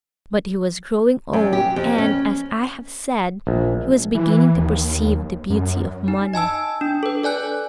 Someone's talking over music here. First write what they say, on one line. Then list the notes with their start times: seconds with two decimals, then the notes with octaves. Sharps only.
But he was growing old, and, as I have said, he was beginning to perceive the beauty of money.
1.33 F#2
1.53 G4
1.76 F2
1.98 C#4
3.47 A#1
4.15 E3
4.56 D#2
5.50 F#2
6.08 D#4
6.34 D#5 G#5 A5 E6
6.81 D4
7.03 A4 B4
7.23 A4 D5 G#5 F#6